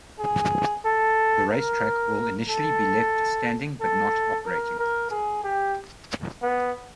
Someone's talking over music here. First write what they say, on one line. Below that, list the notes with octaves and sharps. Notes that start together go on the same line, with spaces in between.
The racetrack will initially be left standing but not operating.
G#4
A4
A#4
A4
A4
A#4
A#4
G#4
G4
B3